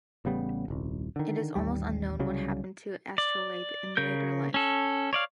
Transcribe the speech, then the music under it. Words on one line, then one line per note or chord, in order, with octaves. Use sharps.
It is almost unknown what happened to Astrolabe in later life.
A1 C#3 G3 B3
D#1 C2
D3 D#3
A1 D#2 G#2 G3
C2 C#3 F#3 G3
D5
C#3 A#4 G6
C#4 A4
C#5 D5 F5